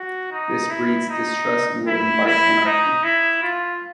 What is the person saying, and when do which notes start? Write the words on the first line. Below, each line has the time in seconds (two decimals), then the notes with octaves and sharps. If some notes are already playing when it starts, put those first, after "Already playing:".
This breeds distrust and will invite anarchy.
Already playing: F#4
0.32 D#4
0.70 E4
1.09 D#4
1.87 E4
2.25 E4
2.65 D#4
3.04 E4
3.43 F4